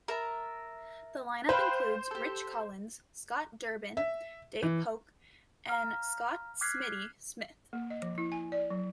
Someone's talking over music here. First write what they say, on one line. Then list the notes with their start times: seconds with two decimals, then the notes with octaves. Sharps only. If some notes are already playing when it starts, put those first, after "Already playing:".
The line-up includes Rich Collins, Scott Durbin, Dave Poche, and Scott "Smitty" Smith.
0.08 A#4 E5 A5
1.49 B4 C5 F5 G5
2.11 G4 A4
3.97 E5
4.63 E3
5.69 F5 A#5 F6
6.61 D6 F6 F#6 G#6 B6 C7
7.73 A#3
7.90 D#5
8.02 F3
8.18 E4
8.32 G#5
8.52 D5
8.70 F#3